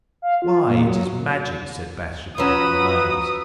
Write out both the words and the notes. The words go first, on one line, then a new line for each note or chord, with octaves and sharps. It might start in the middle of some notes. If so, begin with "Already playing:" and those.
"Why, it is magic!" said Bathsheba, amazed.
F5
F4
A#2
F#3
F3 C#4 F#4 B4 A#5 B5 D#6 E6